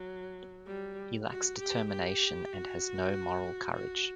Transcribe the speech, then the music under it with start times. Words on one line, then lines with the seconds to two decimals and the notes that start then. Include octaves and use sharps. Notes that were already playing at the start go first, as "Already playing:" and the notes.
He lacks determination and has no moral courage.
Already playing: F#3
0.67 G3
1.29 F#4
1.60 G4
1.91 G4
2.53 F#4
3.75 F#4